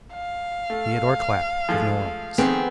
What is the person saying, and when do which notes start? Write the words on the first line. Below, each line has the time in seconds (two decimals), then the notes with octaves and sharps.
Theodore Clapp, of New Orleans.
0.14 F5
0.70 A3
1.69 F3 G#3 A3
2.38 F2 D#3 B3 C4 G#4